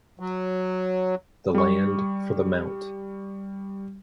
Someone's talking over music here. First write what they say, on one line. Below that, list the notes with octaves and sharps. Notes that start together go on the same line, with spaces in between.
The land for the Mt.
F#3
G3 C#6